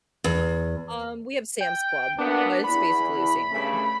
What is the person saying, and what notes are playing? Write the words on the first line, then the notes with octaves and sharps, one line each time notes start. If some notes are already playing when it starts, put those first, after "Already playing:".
Um, we have Sam's Club, but it's basically the same thing.
E2
G5
D2 A#3 B3 D4
E2 B5
G2 C#3 A3